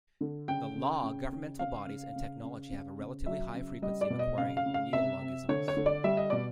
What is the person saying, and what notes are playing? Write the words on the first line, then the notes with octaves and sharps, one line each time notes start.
The law, governmental bodies, and technology have a relatively high frequency of acquiring neologisms.
D3
C#3 G5
C#3
C#3
C#3
C#3 F5
C#3
C#3
C#3
C#3
C#3
F#3 E5
C#3
G3 D#5
D5
B2
D#5
C#3 F5
F5
C#3
F5
C3 E5
C3
D3 C#5
C#5
D3
D5
G3 E5
D#5
B2 D5